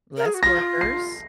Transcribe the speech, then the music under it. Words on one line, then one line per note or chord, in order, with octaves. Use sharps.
Less workers
A#4
G#4
F#4
F4 A#6
C7